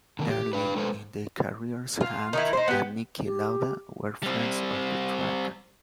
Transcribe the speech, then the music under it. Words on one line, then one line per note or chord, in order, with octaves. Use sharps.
Early in their careers Hunt and Niki Lauda were friends off the track.
D3 D#3 A#3 B3
G4
D4 B4
G#3 A4 B4 C5
F4
D#3 D#4 E4
D#4 C5
B3 G4
G4
G3 C4